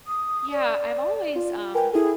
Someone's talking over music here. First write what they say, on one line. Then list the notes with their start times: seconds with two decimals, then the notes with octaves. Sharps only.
Yeah, I've always, um
0.07 D#6
0.51 D5
1.36 F4
1.75 A#4 B4 G5 G#5
1.93 E4 G#4 A4